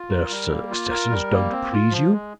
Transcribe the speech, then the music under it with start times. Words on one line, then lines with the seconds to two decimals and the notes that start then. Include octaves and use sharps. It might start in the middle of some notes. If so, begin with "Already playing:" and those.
"Their successors don't please you?"
Already playing: F4
0.10 A#4
0.29 G3
0.50 A#3
0.71 F4
0.90 A#4
1.10 G3
1.31 A#3
1.51 C4
1.72 F4
1.91 F3
2.11 G#3